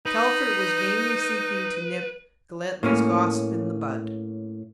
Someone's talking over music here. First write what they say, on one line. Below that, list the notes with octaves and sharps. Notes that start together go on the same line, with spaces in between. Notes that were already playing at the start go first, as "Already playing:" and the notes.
Telford was vainly seeking to nip Galletly's gossip in the bud.
D#4 B4
A2 A#3 C#4